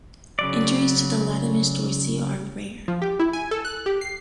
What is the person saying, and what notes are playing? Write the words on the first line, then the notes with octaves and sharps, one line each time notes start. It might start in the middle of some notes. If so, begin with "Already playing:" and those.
Injuries to the latissimus dorsi are rare.
C#3 F#3 D5
F3
G4
E4
G#5
A4
F#6
G4
C7